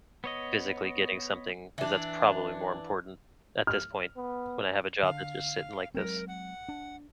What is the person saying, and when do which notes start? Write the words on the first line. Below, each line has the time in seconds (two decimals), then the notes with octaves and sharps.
physically getting something 'cause that's probably more important at this point when I have a job that's just sitting like this.
0.24 B3 C#5 D#5
1.78 E3 D4
3.67 F6
4.16 B3
5.03 D3 F5
5.94 F#3 G#3 C4 A#4
6.28 F#5
6.69 D4